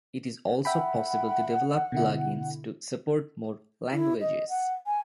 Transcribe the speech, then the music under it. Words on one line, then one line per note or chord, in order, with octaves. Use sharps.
It is also possible to develop plug-ins to support more languages.
E5 F#5 G5 B5
B2 D3 E4
E4
D#5
F#5
G#5